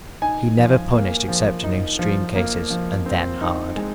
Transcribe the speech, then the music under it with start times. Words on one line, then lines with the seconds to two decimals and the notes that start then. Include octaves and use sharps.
He never punished except in extreme cases, and then hard.
0.22 D#4 G#5
0.58 F3
0.93 A#3
1.28 F3
1.64 D#4
1.99 F3
2.35 A#3
2.70 F3
3.06 C4
3.41 D#4
3.77 G#3